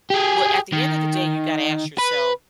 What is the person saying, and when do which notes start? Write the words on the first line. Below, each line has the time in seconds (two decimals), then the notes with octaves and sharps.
well, at the end of the day, you gotta ask yourself,
0.10 G4 G#4
0.72 D#3
1.99 B4